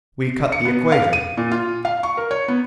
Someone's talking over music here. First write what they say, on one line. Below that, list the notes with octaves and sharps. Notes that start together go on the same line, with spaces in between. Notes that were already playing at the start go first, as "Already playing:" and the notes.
We cut the Equator.
C#7
B3
F5
D#7
A#2
F4
F5
C#6
A#4
C#5
B3